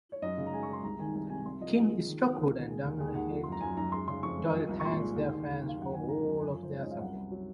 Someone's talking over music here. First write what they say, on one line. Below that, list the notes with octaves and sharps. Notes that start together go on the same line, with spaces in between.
Kim Stockwood and Damhnait Doyle thanked their fans for all of their support.
C#5
F#2 D#5
C#3
A#5
G#3 G#5
C#6
G#3
C6
C2 A#5
D#3 G#5
C2 G#5
C3 G#5
C2 C6
F3 D#5
F3 G#4
F3
D#3
F#3
C#2 A#4
D#3
G#3
D#2
D#2 G#4
D#2 F#5
F3
F#2 C6
A#5
F#2 G#5
F#2 A#5
G#3 C6
C#3 C6
F2 C#6
G#3
F3
C2
C#6
A#2 C6
G#3
D#2
D#2
D#2
D#2
F5
F#2 F#5
D#3 G#5
G#3 A#5
F#2
F#2 G#5
F3
C5
G#3 C#5
F#2 D#5
F5
C2 F#5
C2
F#3